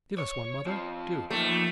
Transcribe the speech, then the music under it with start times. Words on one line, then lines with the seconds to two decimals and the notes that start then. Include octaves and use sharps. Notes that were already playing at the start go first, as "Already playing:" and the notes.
"Give us one, mother; do."
0.18 C#5
0.67 F2 F3
1.30 A#2 D#3 F3 A3